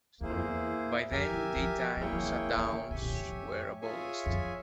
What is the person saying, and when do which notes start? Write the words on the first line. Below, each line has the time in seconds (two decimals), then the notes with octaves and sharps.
By then, daytime shutdowns were abolished.
0.20 E2 A#3 E4 G#4 C5
0.30 F2
0.39 E2
1.11 F2 G4 A#4 E5 G#5
1.33 E3
1.56 F3
1.97 F3
2.00 G3 A#3 E4 G#4 C#5 G5
2.12 F3
2.23 G3
2.35 G#3
2.47 C#3
2.57 E3
2.67 C#3
2.90 C3 G4 C#5 E5 G#5
3.02 A#2
3.13 G#2
3.25 F2
3.81 F4 G#4 C#5 E5 G#5
4.26 F2